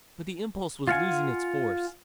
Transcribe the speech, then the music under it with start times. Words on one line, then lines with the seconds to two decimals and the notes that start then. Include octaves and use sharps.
"But the impulse was losing its force."
0.88 F4 F5 F#5 G#5